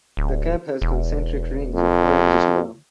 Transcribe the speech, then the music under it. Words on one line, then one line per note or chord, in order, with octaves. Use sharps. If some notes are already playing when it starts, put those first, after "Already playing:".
The cap has concentric rings of orangish brown.
D1
E1
F2